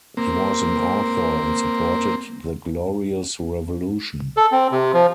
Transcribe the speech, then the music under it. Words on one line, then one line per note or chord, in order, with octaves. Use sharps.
He was an author and supported the Glorious Revolution.
A#3 C4
A4
C4
C3
F3